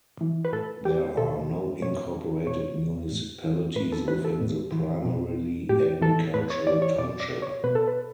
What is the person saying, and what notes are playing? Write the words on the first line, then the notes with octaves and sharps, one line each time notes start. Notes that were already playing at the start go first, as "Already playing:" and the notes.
There are no incorporated municipalities within the primarily agricultural township.
E3
B4
A2 A4
E3 G4
B2 A4
B2 C#5
B2 C#5
A2
E3
A2 B4
A4
E3 B4
A4
A2
E3
B2
A2 G4
E3 A4
A2 B4
C#5
E3 D5
C#5
B2 D5
D5
C#5
B2 B4
A4
B4